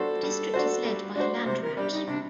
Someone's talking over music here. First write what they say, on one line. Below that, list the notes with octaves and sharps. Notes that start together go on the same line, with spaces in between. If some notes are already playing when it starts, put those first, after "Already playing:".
The district is led by a "Landrat".
Already playing: G3 D4 F#4 A4 C5
G3
D4 F#4 C5
G3
D4 F#4 C5
C3 C5
A#4
G3 D4 G4
D#4
C3 D4